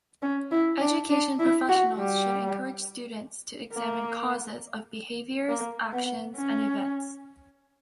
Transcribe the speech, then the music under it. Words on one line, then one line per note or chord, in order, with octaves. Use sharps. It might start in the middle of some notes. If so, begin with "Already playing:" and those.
Education professionals should encourage students to examine "causes" of behaviors, actions and events.
C#4
E4
D4
D4
E4
F#4
G3
A#3
A#3
B3
C#4